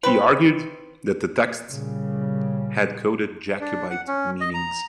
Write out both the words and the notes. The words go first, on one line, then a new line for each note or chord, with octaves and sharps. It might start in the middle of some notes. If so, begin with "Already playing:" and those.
He argued that the texts had coded Jacobite meanings.
C4 B4
A#2 C#3 G3
D4
F#5
C#4
D#5
A#5